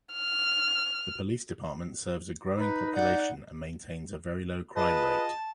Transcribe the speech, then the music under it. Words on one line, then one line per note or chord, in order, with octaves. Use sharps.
The Police department serves a growing population and maintains a very low crime rate.
F6
D#4 B4
D5 F#5
F4 G#4 B4 D#5 A5